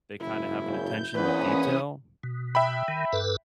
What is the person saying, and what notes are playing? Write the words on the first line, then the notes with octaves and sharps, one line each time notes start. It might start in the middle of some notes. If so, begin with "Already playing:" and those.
they kinda have an attention to detail,
F#1 E4
G#1 C#3 G6
A#1 E2 E3 C#4 B4 D#6
E3
B2
E5 G5 B5
D#3
G2 A4 B4